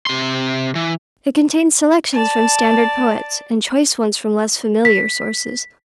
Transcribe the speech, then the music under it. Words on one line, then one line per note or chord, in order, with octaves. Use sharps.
It contained selections from standard poets, and choice ones from less familiar sources.
C3 C6
E3
D5 A5
B6